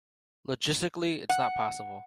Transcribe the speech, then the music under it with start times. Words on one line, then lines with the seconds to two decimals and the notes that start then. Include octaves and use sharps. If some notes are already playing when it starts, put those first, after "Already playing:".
Logistically it's not possible.
1.29 F#5